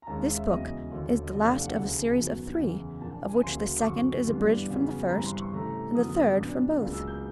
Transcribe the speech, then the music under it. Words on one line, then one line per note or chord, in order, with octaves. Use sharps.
This book is the last of a series of three, of which the second is abridged from the first, and the third from both.
A#5
D#2 D#3 G#3 C#4 A5
F5
E5
E2 C#3 F#3 B3 D#5
D#2 D3 F#3
D#5
E2 C3 F3 A3 D4 D5
F5
F#5
D2 C#3 F3 A#3
F#2 D#3 F#3 B3
E2 C#3 E3
A#2 F3 A#3 D4 A5
G#5
D2 C#3 F#3 A#3 C6
D6
F#2 D3 F#3 C#6
G2 E3 G3 B3 D4 C6
E2 C#3 F#3 B3
A#5
G2 E3 G3 C4 B5
C6
C#6
C3 E3 A3 C#4 A#5
F#2 D3 F#3 B3 D#6
A#2 F#3 B3 D4
C#2 C#3 F#3 A#3
E6
G6